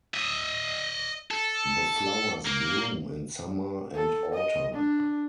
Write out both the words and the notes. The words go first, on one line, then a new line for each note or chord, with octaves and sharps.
The flowers bloom in summer and autumn.
D#5 E5
A4
A#3
A4
D#5
D4